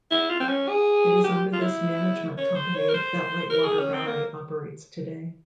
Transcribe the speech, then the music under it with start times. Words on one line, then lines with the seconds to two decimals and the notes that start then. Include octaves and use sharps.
It is under this management company that Lightwater Valley operates today.
0.11 E4
0.30 F4
0.40 C4
0.49 C#4
0.68 G#4
1.24 G4
1.53 F4
1.62 E4
2.38 C#5
2.56 C5
2.75 C#5
2.89 A#4
2.94 C5
3.50 A#4
3.65 G#4
3.79 C#4
3.94 C4
4.07 A#3